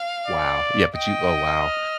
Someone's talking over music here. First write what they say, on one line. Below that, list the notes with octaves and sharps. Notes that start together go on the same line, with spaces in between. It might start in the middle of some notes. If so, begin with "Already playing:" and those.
wow. Yeah, but you oh, wow.
Already playing: F5
D5
D#5 G5
F6